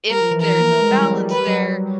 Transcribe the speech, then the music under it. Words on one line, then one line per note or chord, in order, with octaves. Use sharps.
if there's a balance there
G3 A#4
F3
E3
E3 A#4
A#3
A3
G#3
G3
F#3
G3
G3 B4
F#3